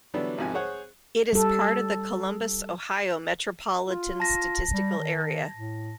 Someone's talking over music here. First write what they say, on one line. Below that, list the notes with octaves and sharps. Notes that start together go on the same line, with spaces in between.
It is a part of the Columbus, Ohio Metropolitan Statistical Area.
D3 E3 F#3 G3 B3 D4
G#1 G#2 C3 F3 F#4 G#5
G#4 C5 C#5 F#5
G3 A4
F4
A5 A#6
G3
D#3
A2